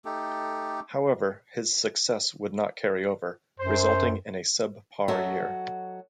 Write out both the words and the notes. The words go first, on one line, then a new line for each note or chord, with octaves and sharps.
However, his success would not carry over, resulting in a sub par year.
A3 D#4 G4 A4
F#2 C5
F#3 F#4 A4 D#5 E5